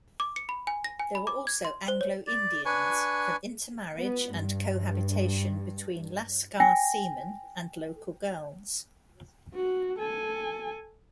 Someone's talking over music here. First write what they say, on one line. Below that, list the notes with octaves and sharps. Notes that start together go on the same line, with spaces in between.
There were also Anglo-Indians, from intermarriage and cohabitation between "lascar" seamen and local girls.
D6
C#7
B5
G#5
A#6
G#5
B5
D6
G#6
C6
C5
C#5
D5
D4 B4 G#5 C#6
B3
G2
G5 G#5 A#6
F#4
A4 G#5